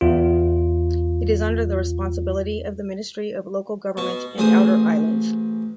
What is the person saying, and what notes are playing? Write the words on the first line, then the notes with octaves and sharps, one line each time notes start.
It is under the responsibility of the Ministry of Local Government and Outer Islands.
E2 F4
B2 C#6
A1 G#4 C5 D#6